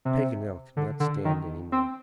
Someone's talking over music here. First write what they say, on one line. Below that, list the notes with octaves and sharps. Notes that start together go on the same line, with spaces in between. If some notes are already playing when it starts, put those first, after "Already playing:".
Paganel could not stand any more.
C3
D3
D3
D#3
C4